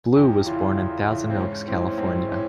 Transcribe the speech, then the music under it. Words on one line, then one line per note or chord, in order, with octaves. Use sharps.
Blue was born in Thousand Oaks, California.
E2 G4
C#3 E3 F4
E2
C#3 E3
C4
G#2 C#4
E3 C4
C#4
G#2 C4
C#4
E3 C#4